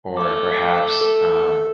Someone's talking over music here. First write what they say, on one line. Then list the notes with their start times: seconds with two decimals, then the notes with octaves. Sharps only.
or perhaps, um
0.17 A3 D6
1.01 A4